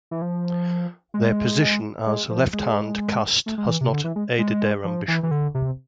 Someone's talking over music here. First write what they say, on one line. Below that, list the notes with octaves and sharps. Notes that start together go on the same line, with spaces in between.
Their position as a left-hand caste has not aided their ambition.
E3
F3
G#3
G#3
F3
G#3
A3
G#3
E3
C3
D3
E3
G#3
G#3
F3
E3
E3
D3
C3